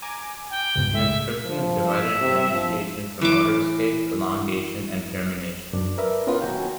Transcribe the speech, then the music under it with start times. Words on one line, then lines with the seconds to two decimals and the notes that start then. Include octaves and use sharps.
Transcription is divided into "initiation", "promoter escape", "elongation," and "termination".
0.02 G#5 A#5 D6
0.50 G5
0.75 C#2 G2 B2
0.93 A2 G#3 E5
1.46 F3
1.89 E5
2.20 C3
2.50 F3
3.21 E3 D6
5.73 F#2 D4
5.98 A#4 B4 E5
6.27 B3 C#4 F4 A#4 B4
6.42 D#2 F#3 C#4 G5